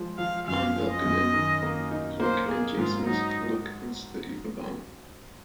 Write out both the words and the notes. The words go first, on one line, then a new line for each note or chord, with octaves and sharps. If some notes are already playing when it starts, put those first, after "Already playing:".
On Belkaden, Luke and Jacen's look and study the Vong.
Already playing: F3 G#3
F3 F5
F#2 F5
F3
D#5
F#2
D#3
A#3
D#4
A#3 C5
A#3 G#4
G#2 F4
F#3 D#4